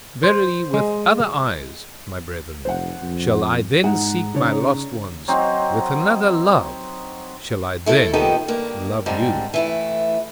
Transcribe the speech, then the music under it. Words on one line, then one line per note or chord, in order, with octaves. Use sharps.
Verily, with other eyes, my brethren, shall I then seek my lost ones; with another love shall I then love you.
C5
G#3
F1 C5 F#5
F2
G#2 G#3 D#4 F#5
C#3 D4 D#4 C#5
F#3 C4 D#4
A3 E4 A4 E5
A#2 D#3 B3 D#4 G4 A4
G2 A#3
G#2 D3 G3 C4
E3 A3 E4